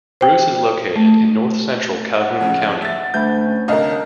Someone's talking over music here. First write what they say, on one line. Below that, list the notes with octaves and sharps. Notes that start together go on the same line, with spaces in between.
Bruce is located in north-central Calhoun County.
C5 G5
A3
F#5
C#3 F3
E5 A6
D2 B5 G6
C#4
G1 C2 A#4 D#5 F5